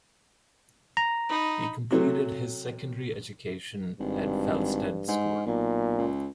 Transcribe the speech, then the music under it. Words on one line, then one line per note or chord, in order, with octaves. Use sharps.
He completed his secondary education at Felsted School.
A#5
D#4 B5
C3 F#3 A3
G#1 G2
G#2
B1 A#2
C#2